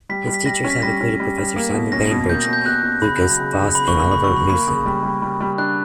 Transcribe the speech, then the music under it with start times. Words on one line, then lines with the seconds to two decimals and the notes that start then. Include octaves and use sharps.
His teachers have included Professor Simon Bainbridge, Lukas Foss and Oliver Knussen.
0.09 G3 B6
0.27 G3
0.34 B6
0.46 G3 A#6
0.64 C#4
0.70 B6
0.82 G3 A#6
1.01 C#4
1.20 G3
1.38 G3
1.56 A#3
1.74 B2
1.92 C#4 A#6
2.11 B2
2.29 A#3 G6
2.42 A#6
2.47 B2
2.53 G6
2.66 B2 F#6
2.83 B2
3.02 C#3 B5
3.21 F#3
3.39 C#3
3.58 C#3
3.75 C#3 B5
3.88 C#6
3.93 A#3
3.99 B5
4.12 C#3 B5
4.24 C#6
4.30 F#3
4.36 B5
4.49 A#3 B5
4.67 C#3
4.86 G3
5.03 G3
5.22 G3
5.41 G3
5.58 D4 F#6